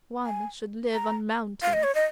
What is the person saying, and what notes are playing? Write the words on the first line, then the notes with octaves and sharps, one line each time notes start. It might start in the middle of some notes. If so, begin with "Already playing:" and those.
One should live on mountains.
G#5
A#5
F5
D#5
C#5
D#5